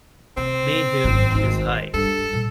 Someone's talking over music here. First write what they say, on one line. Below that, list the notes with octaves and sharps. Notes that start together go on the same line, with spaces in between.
May Hill is high.
C3 C4
G#1 F#2
G#1 D#4
G2 A4
A#2